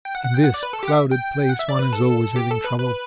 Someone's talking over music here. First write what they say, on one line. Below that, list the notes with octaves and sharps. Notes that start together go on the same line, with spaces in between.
In this crowded place one is always having trouble.
G5
F#5
F#5
G5
F#5
D5
B4
A4
G4 F#5
E5
G5
F#5
E5
D5
B4
A4
G4
A4
B4
B4